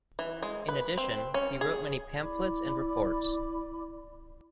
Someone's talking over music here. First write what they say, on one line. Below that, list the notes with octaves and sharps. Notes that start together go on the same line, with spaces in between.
In addition, he wrote many pamphlets and reports.
E3
G#3
B4
C4
C#4
G#4
E4 D5 B5 D6